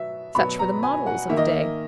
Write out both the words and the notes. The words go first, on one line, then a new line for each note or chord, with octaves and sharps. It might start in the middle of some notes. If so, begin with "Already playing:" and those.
Such were the models of the day.
Already playing: B2 F#3 B3 E5
B2 F#3 B3 B5
A#5
G#5
F#5
D#3 A#3 E5
D#5
E5